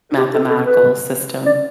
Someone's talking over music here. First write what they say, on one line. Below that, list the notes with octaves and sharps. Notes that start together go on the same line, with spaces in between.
Mathematical system?
G4
A4
A4
B4
D5